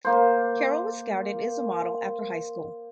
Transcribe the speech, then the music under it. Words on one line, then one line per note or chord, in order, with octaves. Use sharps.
Carroll was scouted as a model after high school.
A#3 C5